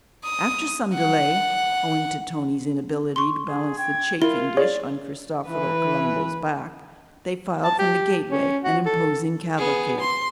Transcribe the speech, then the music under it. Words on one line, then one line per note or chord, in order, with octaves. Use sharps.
After some delay--owing to Tony's inability to balance the chafing-dish on Cristoforo Colombo's back--they filed from the gateway, an imposing cavalcade.
D#6
F#5
C6 C#6
G#4
G5 G#6
E4 F4 A#4 G7
G#4 C#5 D5
E3 B4
A5
G4
C#4
F#4
A4
B3 G#4
C6